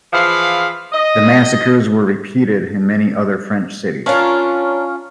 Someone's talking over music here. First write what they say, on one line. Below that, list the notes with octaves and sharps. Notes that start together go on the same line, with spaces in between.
The massacres were repeated in many other French cities.
E3 F3 F4 G#4 F5 B5
D#5
C#4 D4 F4 A#4 C#5 F5 C#6